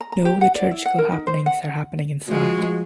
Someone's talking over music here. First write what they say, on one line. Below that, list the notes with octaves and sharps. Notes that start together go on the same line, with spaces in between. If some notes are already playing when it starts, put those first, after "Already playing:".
No liturgical happenings are happening inside.
A#5
A#5
G4
F#5
D5
E4
F#5
A#4
D#4
C5
F#5
F3 G#3 F#4